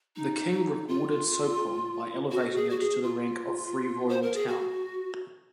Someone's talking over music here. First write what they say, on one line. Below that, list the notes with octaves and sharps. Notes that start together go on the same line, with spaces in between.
The king rewarded Sopron by elevating it to the rank of free royal town.
D#4
D#4
F4
F#4
G#4
F#4
G#4
F4
C5
A#4
G#4
F#4